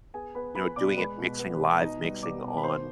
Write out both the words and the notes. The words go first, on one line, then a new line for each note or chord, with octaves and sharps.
you know, doing it, mixing live mixing on,
B3 G#4 G#5
B3 B4 B5
B3 B4 B5
B2 D5 D6
G#3 B4 B5
B2
B3
B2
B2 D#4 D#5
G3
B2 D5 D6
B2
B5
D#3 C5 C6